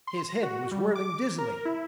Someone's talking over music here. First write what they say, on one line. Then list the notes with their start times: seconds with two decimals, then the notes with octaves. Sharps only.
His head was whirling dizzily.
0.07 C6
0.29 A#6
0.43 F#4
0.71 G3
0.95 D6
1.38 A#4
1.65 E4